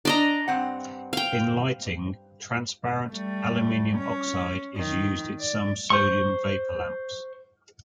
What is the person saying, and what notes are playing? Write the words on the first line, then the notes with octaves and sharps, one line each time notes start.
In lighting, transparent aluminium oxide is used in some sodium vapor lamps.
D4 D5 D#5 A#5
G2 C4 F#5
F5 G5
G3 A3
C#4
D#3
D5
C5 C#6